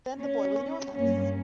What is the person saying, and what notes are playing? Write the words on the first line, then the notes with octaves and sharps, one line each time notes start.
Then the boy was in your house!
C#4
G2 F#3 A#3 C#4